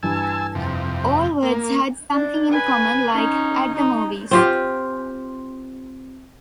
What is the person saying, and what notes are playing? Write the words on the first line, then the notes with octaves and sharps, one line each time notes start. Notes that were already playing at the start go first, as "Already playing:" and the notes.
All words had something in common, like "At the Movies".
G2 E3 G#5 A5 E6
F2 C3
A#3
D4
B4 G#5
C#4 D#4
D#4
C4 F4 G4